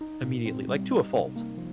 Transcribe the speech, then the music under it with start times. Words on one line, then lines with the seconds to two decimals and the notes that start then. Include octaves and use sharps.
immediately- like, to a fault,
0.01 D#4
0.23 A#2
0.45 C4
0.68 G3
0.91 D#4
1.13 C3
1.36 A#3
1.58 F3